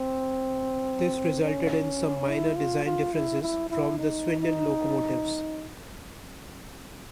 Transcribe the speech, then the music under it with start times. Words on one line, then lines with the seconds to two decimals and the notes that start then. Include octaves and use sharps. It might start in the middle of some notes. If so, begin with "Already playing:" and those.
This resulted in some minor design differences from the Swindon locomotives.
Already playing: C4
1.43 C#4
2.29 E4
2.56 F4
2.85 F4
3.13 E4
3.42 E4
3.70 E4
3.98 D#4
4.41 D#4